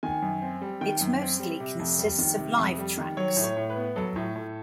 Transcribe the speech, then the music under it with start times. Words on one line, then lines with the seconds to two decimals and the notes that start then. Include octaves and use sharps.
It mostly consists of live tracks.
0.03 D#3 G#5
0.22 F#2
0.42 C4
0.61 G3
0.81 D#3 G5
1.01 F#2
1.21 C4
1.40 G3
1.60 C3
1.79 F2
1.99 G3
2.19 D#3
2.38 C3
2.58 F2
2.78 G3
2.98 D#3
3.17 F#3 C#5
3.37 A2
3.44 C#5
3.57 A2
3.70 B4
3.76 B3
3.96 F#3 A4
4.16 A2
4.36 A2